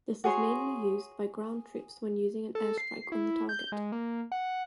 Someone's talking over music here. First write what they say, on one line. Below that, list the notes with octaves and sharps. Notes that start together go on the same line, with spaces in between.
This is mainly used by ground troops when using an air-strike on the target.
F#4 G#4 C#5 C6
A4
C7
E4
G6
G#3
A#3
F#5